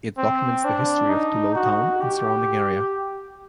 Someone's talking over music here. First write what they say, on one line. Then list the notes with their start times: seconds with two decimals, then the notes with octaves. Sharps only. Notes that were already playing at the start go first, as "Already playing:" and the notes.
It documents the history of Tullow town and surrounding area.
0.18 C4
0.65 D4
1.09 D#4
1.55 F#4
2.01 G4